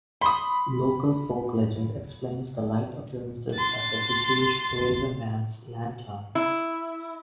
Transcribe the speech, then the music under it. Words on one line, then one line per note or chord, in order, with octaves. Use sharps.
Local folk legend explains the light appearances as a deceased railwayman's lantern.
B5 C6 D#6
C6 A6
E4